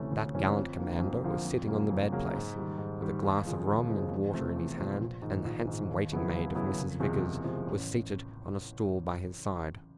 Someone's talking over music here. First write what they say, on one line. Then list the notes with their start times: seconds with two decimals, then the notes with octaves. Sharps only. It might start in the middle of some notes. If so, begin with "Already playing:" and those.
That gallant commander was sitting on the bed-place, with a glass of rum and water in his hand, and the handsome waiting-maid of Mrs. Vickers was seated on a stool by his side.
Already playing: D2 C3 E3 A3 C#4
0.12 D2
0.34 C3 E3 A3 C#4
0.56 F2
0.78 D3 F3 A#3
1.00 F2
1.24 D3 F3 A#3
1.45 F2
1.67 C#3 F#3 A#3
1.90 F2
2.12 C#3 F#3 A#3
2.34 G#2
2.56 D#3 G3
2.78 G#2
3.01 D#3 G3
3.23 D#2
3.45 C#3 F3 G#3 C4
3.67 D#2
3.89 C#3 F3 G#3 C4
4.11 E2
4.34 C3 F3 A3 C4
4.56 E2
4.77 C3 F3 A3 C4
5.01 A#1
5.22 G#2 D#3
5.45 A#1
5.67 G#2 D#3
5.89 D#2
6.12 C#3 F#3 B3 E4
6.33 D#2
6.55 C#3 F#3 B3 E4
6.77 F#1
7.00 E2 C3 F3 G#3
7.23 F#1
7.44 E2 C3 F3 G#3
7.67 A1